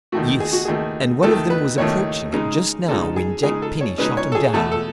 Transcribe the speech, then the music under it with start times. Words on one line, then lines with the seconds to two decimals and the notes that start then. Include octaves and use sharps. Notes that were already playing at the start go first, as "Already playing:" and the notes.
"Yes; and one of them was approaching it just now when Jack Penny shot him down."
0.12 D#2 D#3 A3 F#4
0.40 G#4
0.53 F#4
0.65 D#2 D#3 A3 G#4
1.23 D#2 D#3 A3 A4
1.50 B4
1.78 D#2 D#3 A3 C#5
2.33 C#3 G#3 D#4
2.88 C#3 G#3 D#4 A4
3.16 G#4
3.43 C#3 G#3 D#4 G#4
3.62 A4
3.81 C#5
3.98 C#3 G#3 D#4 B4
4.17 C#5
4.32 A4
4.35 G#4
4.53 E2 B2 A3 A4
4.72 A4